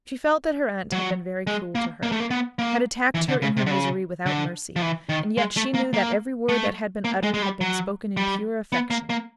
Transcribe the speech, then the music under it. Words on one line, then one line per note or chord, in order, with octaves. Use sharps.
She felt that her aunt had been very cruel to her,--had attacked her in her misery without mercy; and yet she knew that every word that had been uttered had been spoken in pure affection.
F#3
G#3
A#3
A#3
A3
A#3
B3
A#3
E3
D3
C#3
C3
D3
C#3
D3
F3
E3
D#3
G#3
A3
A#3
A#3
A3
A#3
G#3
G#3
G3
F#3
G3
B3
A#3
A#3